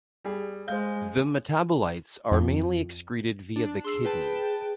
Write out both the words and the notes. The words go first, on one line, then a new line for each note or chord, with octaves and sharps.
The metabolites are mainly excreted via the kidneys.
G3 G#4
G#3 C5 F5 G6
F2
D4
G#4 C6 E6 C7
B4 G5 A5